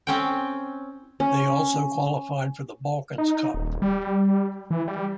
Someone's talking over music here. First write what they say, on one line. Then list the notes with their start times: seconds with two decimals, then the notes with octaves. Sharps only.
They also qualified for the Balkans Cup.
0.07 C4 C#4 G5
1.20 C#4
3.18 D#4
3.54 D#1
3.82 G3
4.71 E3
4.88 G3